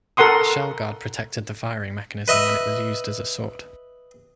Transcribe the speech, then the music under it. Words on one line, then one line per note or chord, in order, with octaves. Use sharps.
A shell guard protected the firing mechanism when it was used as a sword.
A4 A#4 F#5 C6 D#6
B4 D#5 E5